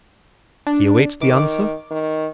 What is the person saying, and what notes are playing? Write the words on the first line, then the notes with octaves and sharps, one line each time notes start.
"He awaits the answer?"
D4
D#3 D6
D#3